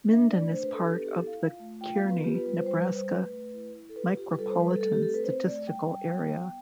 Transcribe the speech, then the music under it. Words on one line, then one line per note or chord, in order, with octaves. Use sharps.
Minden is part of the Kearney, Nebraska Micropolitan Statistical Area.
D4 E5
A3 D5
D4 C5
B4
D4 A4
G4
B4
B3 A4
G4
E4 A4
F5
F4
A3
F4 G5
F5
B3
B4
F4 G4
B4
G3 B4
C5
G3 C5
B4
G3
C5
A3 B4
A3
E4
E4
A4
F4 B4
F4 G4
B4
G3 A4
C5
G3 B4
A4
A3 A4
G4
C4 A4
B4
C4 C5
A3 D5
G3 G5
G3
B3
B3